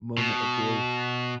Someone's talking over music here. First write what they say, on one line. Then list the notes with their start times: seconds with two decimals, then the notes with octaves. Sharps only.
moment of growth
0.18 B2